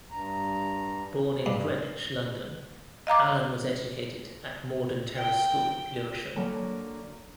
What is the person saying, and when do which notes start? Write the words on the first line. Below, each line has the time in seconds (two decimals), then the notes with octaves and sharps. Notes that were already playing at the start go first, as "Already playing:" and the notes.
Born in Greenwich, London, Alan was educated at Morden Terrace School, Lewisham.
0.11 G2 A#5
1.46 G2
3.07 D#5 F5 A#5 D6
5.18 G5
6.36 D3 F#3 A#3 F#5 A5